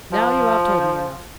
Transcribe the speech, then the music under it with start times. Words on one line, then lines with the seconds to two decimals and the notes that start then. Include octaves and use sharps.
Now you have told me enough.
0.13 F3